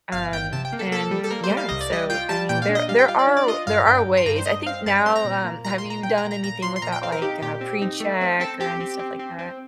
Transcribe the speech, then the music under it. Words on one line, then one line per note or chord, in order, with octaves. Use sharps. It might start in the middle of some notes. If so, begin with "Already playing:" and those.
um, and yeah, so, I mean, there there are there are ways. I think now, um, have you done anything with that, like, uh, precheck or any stuff like that?
G1 F5
G1 G5
C3 A5
G5
A#3
A4
A#3 A4
G3
A4
A#3 A#4
C5
G3
F5
C2 D#5
D5
G3 D#5
F4 G5
G3 A5
A#2 G5
F5
D4
D#5
G3 F5
G5
F4 F5
D5
D4
D5
F4 D#5
G2 F5
G2 G5
G2
C6
G2 A#5
C5
G2 D#5
C4 F5
G2 A5
A#5
C4 C6
A#5
A#2
A#3
A#2 A#5
C6
A#2
A#5
A#2 G5
A#5
A#2
A#5
A#2 A#5
F3 C6
C6
A#2 A#5
G5
C4 F5
A#4
D#4 G4
A#2 G4
C4
D#4
A3
C4
C4 A4
C4 G4
C4
C4
C4
C4